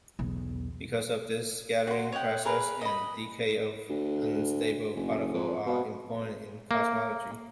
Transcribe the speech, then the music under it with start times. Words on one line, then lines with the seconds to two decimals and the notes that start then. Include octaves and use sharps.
Because of this, scattering processes and decay of unstable particles are important in cosmology.
0.19 B1 E2
1.87 F#4 C6
2.12 C#5 D#5 F#5 G5
2.45 G#4 A#4 B4
2.81 D#5 B5
3.89 D2
4.95 F#1
5.34 F2
5.66 B2
6.71 A#3